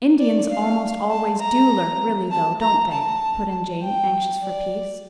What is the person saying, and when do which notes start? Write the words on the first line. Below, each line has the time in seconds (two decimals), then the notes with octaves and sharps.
'Indians almost always DO lurk, really, though, don't they?' put in Jane, anxious for peace.
0.19 D5
0.50 F5
1.10 A5
1.40 A#5
2.31 A5
2.61 A#5
2.91 A5
3.82 G5
4.42 D5